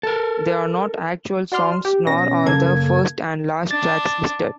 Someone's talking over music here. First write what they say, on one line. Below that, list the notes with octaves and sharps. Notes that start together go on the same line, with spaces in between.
They are not actual songs, nor are the first and last tracks listed.
A4 A#4
F#4 D5 C6 F6
G4
B2 C#4 A#6
F#2 C#3 A#3 A4 G#6
D4 A6